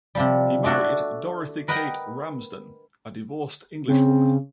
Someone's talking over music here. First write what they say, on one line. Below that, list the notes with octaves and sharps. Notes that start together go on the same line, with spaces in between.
He married Dorothy Kate Ramsden, a divorced Englishwoman.
C3 F3 G3
A3 D4 F#4 A4
A#4 B4 D#5 F#5 G5 A#5
C#3 C4